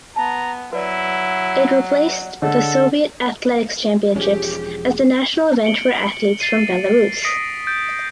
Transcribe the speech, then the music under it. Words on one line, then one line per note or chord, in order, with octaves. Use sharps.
It replaced the Soviet Athletics Championships as the national event for athletes from Belarus.
B3 A5 A#5
F#3 E4 B4 D5
D3 G#4 A4 C#5 D#5
E1 F3 C#4 G4 G#4
C#7 D7 F#7 G7
A6 C7 D#7
D#6 A#6 B6 D7 D#7
G6 A6 D7